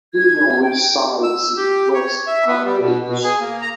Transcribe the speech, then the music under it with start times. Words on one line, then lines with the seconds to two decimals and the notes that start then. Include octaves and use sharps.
He now resides in West Palm Beach.
0.15 G#6
0.63 G5
1.23 E6
1.57 G4
1.94 C#5
2.27 E5
2.47 B3
2.64 G3
2.80 B2
3.08 B2
3.24 G#4
3.41 A#3
3.62 A#5